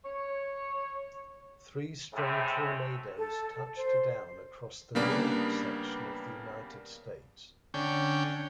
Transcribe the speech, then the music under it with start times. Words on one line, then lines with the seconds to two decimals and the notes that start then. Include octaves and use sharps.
Three strong tornadoes touched down across the northern section of the United States.
0.03 C#5
2.14 A2 C3 G#3 A3
3.17 A4
3.76 C5
4.95 C#3 G3 A#3 B3 D4
7.74 D3 C#4 G5